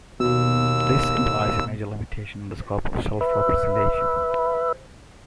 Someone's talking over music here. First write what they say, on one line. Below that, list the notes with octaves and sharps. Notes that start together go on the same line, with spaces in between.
This implies a major limitation on the scope of self-representation.
D#2 B2 E6
B4 E5